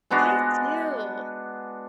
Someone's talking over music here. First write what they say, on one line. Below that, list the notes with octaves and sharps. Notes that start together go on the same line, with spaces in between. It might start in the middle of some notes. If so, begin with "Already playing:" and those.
I do.
G#3 B3 D4 F#4